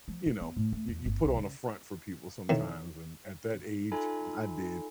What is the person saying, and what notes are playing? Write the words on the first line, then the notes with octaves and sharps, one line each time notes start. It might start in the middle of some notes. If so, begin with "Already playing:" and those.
you know, you you put on a front for people sometimes, and at that age, I did.
F3
E4
B3
A2
A3
E2
G1
C2
C#3
A2 D#3
D#4 F4 A4 G#5 B5